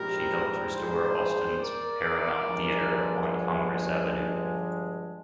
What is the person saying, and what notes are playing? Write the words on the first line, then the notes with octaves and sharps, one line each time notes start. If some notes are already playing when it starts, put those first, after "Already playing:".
She helped restore Austin's Paramount Theatre on Congress Avenue.
Already playing: A#1 G#2 G3 C4 G4 A#4
G#4 C5
A#4 D5
G1 G2 F3 G#3 D4